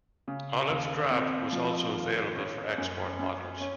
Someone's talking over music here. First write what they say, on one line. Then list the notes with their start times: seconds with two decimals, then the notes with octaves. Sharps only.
Olive drab was also available for export models.
0.28 C#3
0.69 D#2
1.11 C4
1.53 F3
1.94 D#2
2.35 C#4
2.78 F#2
3.19 F#2
3.61 C#4